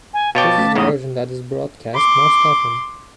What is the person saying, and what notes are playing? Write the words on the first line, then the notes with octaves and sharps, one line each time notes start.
This is the version that is broadcast most often.
G#5
B2 C#5 F5 G5 A5 D6
A3 C#4 B6
E2 G#2 C#3 D#5
C6 D6